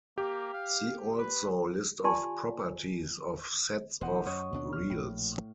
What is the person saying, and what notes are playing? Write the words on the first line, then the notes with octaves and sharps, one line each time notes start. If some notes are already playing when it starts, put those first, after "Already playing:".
See also list of properties of sets of reals.
A#3 G4
F5
B4
F4 G4 D5 G#5 A5 C6
E1 E3 C5 D#5 F#5
F#2 C#5 D#6
D#2 B2 D4
F6
A#1 A2